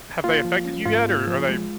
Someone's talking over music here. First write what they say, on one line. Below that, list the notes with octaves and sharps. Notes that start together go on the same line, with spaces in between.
have they affected you yet, or are they
A#3 F4
F3
C#4
G#2 F4
A#3
F3
G#3